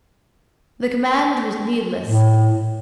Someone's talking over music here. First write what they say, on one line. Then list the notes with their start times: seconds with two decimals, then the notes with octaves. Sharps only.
The command was needless.
2.05 A2